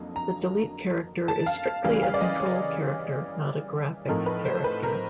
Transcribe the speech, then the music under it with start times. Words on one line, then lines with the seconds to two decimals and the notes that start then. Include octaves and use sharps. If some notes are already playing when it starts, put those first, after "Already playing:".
The delete character is strictly a control character, not a graphic character.
Already playing: F2 D3 F#3 A#3 D#4
0.16 A#5
1.28 A5
1.46 F5
1.84 C#3 E3 G3 F5
2.03 F5
2.14 D5
2.21 D#5
2.40 C#5
4.08 A2 F3 A3 C4 D#4 A#4
4.26 B4
4.45 C5
4.64 B4
4.83 A#4